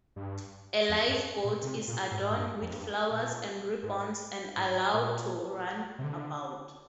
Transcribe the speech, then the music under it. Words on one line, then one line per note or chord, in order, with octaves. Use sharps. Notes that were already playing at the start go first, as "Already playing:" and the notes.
A live goat is adorned with flowers and ribbons and allowed to run about.
G2
F2
G2
A#2
C3
A#2
G#2
G#2
G2
F2
G2
A#2
G#2
G#2
A#2
C3
D3